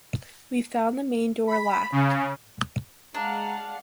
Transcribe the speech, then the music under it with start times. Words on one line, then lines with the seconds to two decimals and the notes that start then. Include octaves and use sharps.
We found the main door locked.
1.47 B5
1.92 C#3
3.14 G#3 D4 F5 F#5 A5 A#5